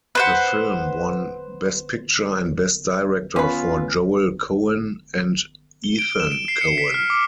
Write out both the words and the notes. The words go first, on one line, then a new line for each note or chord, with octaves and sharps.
The film won Best Picture and Best Director for Joel Coen and Ethan Coen.
B4 C5 F#5
B3 C#4 F4 B4
G7
D7
E7
D7
C7
C#7
B6
F6
D6